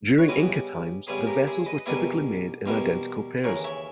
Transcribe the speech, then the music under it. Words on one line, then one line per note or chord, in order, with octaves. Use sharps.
During Inca times, the vessels were typically made in identical pairs.
C#5
C#3 G3 B3 E4 B4 D#5
C#3 G3 B3 E4 G#4 B4
G4 A#4
E4 G#4
B4 D#5
E2 B2 G3 A#3 E4 G#4 B4
E2 B2 G3 A#3 E4
D#2 C#3 E3 A#4 C#5
C#5 E5